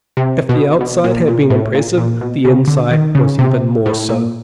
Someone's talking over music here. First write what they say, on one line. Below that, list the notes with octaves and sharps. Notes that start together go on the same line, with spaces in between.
If the outside had been impressive the inside was even more so.
C3
B2
B2
A#2
A#2
A2
A#2
A#2
B2
C#3
D3
D#3
C#3
C3
A2
A#2